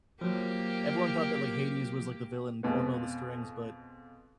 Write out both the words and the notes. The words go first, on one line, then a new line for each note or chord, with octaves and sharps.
everyone thought that, like, Hades was, like, the villain pulling all the strings, but
F3 F#3 A#3 G4
F2 B2 G#3 B3